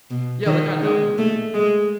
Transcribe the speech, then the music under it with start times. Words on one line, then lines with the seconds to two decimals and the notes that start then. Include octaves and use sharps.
Yeah like, I know him pretty much.
0.10 B2
0.46 D#3
0.82 G#3
1.18 A3
1.54 G#3